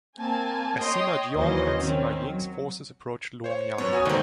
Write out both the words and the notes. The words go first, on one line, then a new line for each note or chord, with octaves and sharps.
As Sima Jiong and Sima Ying's forces approached Luoyang.
A#3 C4 G#5 A5
C#5 D#5 G5 C6 D#6
D#2 E3 F#3 C#4 C5 D#5
D#3 C4 C#4
F#3
C5 C#5
F#2 B3 C#5
F#4 G#5 D#6
D#2 G#2 D3 C4 D#4